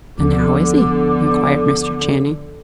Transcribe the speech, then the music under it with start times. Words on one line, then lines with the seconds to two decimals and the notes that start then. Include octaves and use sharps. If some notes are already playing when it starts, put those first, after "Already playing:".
"And how is he?" inquired Mr. Channing.
0.18 D2 D3 F3 B3 D6